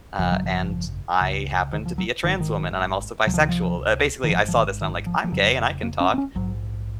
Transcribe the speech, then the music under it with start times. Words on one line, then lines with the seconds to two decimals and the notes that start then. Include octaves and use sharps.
ah, and I happen to be a trans woman and I'm also bisexual. Uh, basically, I saw this and I'm like, "I'm gay and I can talk,"
0.18 G#1 F#2 C#3 F3
0.32 F#3
0.46 F3
1.21 C#2 C#3
1.73 D#3
1.86 F3
1.98 F#3
2.24 G#1 G#2 D#3
2.40 D#3
3.26 C#2 C3 F#3
3.34 F3
3.41 D#3
3.49 F3
4.24 D#3
4.29 G#1 G#2 F3
4.48 F3
4.55 D#3
4.81 D#3
5.06 F3
5.24 F3
5.32 F1 F2 C#3 F#3
5.83 A#3
6.00 C#4
6.14 C4
6.18 C#4
6.35 A#1 G#2 F#3